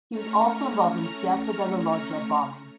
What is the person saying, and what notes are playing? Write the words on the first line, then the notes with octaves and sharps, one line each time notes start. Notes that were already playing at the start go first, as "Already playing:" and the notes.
He was also involved in the Piazza della Loggia bombing.
A3 C#4 A#5 C#6 F6